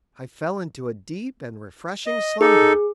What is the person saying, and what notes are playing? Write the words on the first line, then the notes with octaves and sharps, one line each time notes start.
I fell into a deep and refreshing slumber.
D#5
D#4 G#4 A4